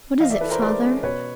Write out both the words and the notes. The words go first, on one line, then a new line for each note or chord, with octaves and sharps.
"What is it, father?"
E3 D#5 F5
D5 E5
E4 A4 B4
A#4 C5
G#3 C5 D5
C#4
B2 B4 C#5